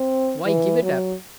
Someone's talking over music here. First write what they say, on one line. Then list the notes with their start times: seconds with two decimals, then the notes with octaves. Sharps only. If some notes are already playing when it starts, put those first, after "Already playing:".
"Why give it up?"
Already playing: C4
0.46 E3
0.83 F#3